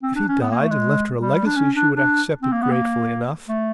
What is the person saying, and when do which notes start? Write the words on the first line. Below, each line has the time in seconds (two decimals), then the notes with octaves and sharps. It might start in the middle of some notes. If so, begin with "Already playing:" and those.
If he died and left her a legacy she would accept it gratefully enough.
0.03 C4
0.15 D4
0.28 C#4
0.41 B3
0.51 A#3
0.60 A3
0.70 G#3
1.18 G3
1.46 D4
1.56 C#4
1.75 D4
1.95 D4
2.42 C4
2.52 A#3
2.62 B3
2.71 A#3
3.48 A3